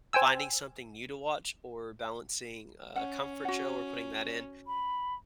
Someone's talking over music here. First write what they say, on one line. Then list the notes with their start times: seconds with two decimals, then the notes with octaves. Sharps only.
finding something new to watch, or balancing a comfort show, or putting that in,
0.13 C5 G5 G#5 E6
2.96 C#4 F#5
3.45 F#4 F#5
4.67 B5